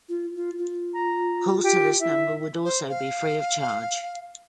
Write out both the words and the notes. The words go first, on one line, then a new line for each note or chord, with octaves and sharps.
Calls to this number would also be free of charge.
F4
F4
F4
A#5
G4
E4 E5
C5
F5